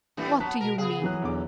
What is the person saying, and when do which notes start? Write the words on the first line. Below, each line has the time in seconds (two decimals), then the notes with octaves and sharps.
"What do you mean?"
0.17 A2 E3 G3 A3 D4
0.40 F#3 B3 A5 A#5 F#6 B6
0.61 B2 A#4
0.78 C#3 B3 G#4 F5 D#6
1.02 E3 F#3 F#6
1.22 B1 E2 D3 D6